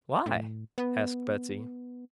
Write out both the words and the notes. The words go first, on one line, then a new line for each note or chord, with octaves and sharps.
"Why?" asked Betsy.
A2
B3